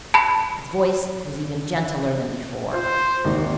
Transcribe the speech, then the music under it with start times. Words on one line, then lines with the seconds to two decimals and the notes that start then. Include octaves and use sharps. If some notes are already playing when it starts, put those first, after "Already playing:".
His voice was even gentler than before.
0.14 A5 B5
2.73 F4 C5
3.25 G#1 D#2 A#3